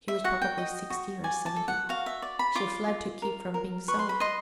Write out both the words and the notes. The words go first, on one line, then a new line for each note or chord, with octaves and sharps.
She was probably sixty or seventy. She fled to keep from being sold.
E5
F#4 F#5
G5
D#5
F#4
D5 G#5
A5
A4
F#5
F#4 F5
E5
D5
B5
F4 D6
F4
A#4
A#4
B4 C#6
C6
B5
D#5 C6